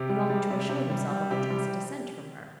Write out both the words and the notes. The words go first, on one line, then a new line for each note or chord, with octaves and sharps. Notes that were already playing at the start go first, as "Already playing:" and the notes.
He longed to assure himself of a tacit assent from her.
Already playing: C3 G4
G3
G3
C3
C3
G3
G3
C3 G4
G3